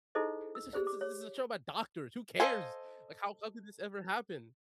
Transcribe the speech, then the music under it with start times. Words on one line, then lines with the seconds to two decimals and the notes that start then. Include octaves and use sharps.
This is this is this is a show about doctors. Who cares? Like, how the hell did this ever happen?"
0.15 D#4 E4 G#4 A4 C5 D#5
0.55 E6
0.73 G4 G#4 C5 D5
0.87 D6
1.01 C#5
2.40 A4 C5 D#5 F5 G#5